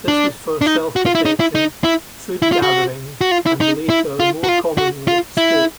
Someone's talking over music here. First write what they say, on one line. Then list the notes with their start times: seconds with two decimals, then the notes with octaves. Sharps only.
This was for self-protection, food gathering, and later more commonly, sport.
0.08 D4
0.61 D4
0.66 D#4
0.96 F#4
1.06 F4
1.15 E4
1.25 D#4
1.40 E4
1.55 D#4
1.84 E4
2.42 E4
2.52 F4
2.62 F#4
3.21 F#4
3.31 F4
3.46 E4
3.61 D#4
3.90 E4
4.20 F4
4.44 F#4
4.49 F4
4.78 F#4
5.08 F4
5.37 E4